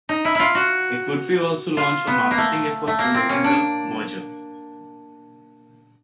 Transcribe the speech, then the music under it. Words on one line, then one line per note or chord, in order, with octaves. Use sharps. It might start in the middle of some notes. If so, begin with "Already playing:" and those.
It would also launch a marketing effort promoting the merger.
D#4
E4
E4 F4
F#4
F4
B3
A#3
A3
A3
A#3
C4
C#4
D4